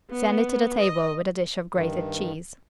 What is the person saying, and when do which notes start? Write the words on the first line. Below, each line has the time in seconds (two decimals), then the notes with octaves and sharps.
Send it to the table with a dish of grated cheese.
0.11 B3
0.80 D#5
1.76 G2 D#3